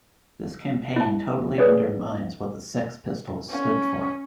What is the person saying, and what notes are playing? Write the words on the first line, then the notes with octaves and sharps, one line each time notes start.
This campaign totally undermines what The Sex Pistols stood for.
E4 A5
G#4 B4 C#5 D5
C#4